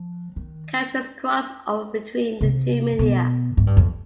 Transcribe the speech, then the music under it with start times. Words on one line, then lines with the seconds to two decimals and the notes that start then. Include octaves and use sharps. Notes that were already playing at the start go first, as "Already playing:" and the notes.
Characters cross over between the two media.
Already playing: F3
0.36 D#3
2.41 C3
2.99 B2
3.57 G#2
3.67 G2
3.77 F2